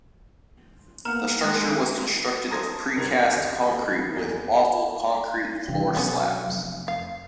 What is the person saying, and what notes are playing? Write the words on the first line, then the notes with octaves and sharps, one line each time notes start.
The structure was constructed of precast concrete with waffle concrete floor slabs.
A#3 B3 F#5 A#5 F6
D#3 G#3 F#6 A#6
A5 A#5 C6 D#6 G#6 A#6
G1 C3 D4 A#4 B4 G#6
D#1
E2 A#3
C3 D#3 E3
B2 D3 F#3 B3 C#4
F1
F5